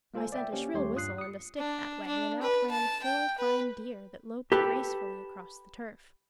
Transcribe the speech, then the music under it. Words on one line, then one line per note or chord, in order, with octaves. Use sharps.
I sent a shrill whistle and a stick that way, and out ran four fine deer that loped gracefully across the turf.
G#3 A#3 F4 A4 C5 G#5
D5 E5 G5
A#3 C#4 G4 C5
D#2 G3 A3 G4 C#5 C6
G2 F4 D#6 F#6 C7
D#6 C#7
D4
D4
B4
A5
G5
B4
G4 A4 B4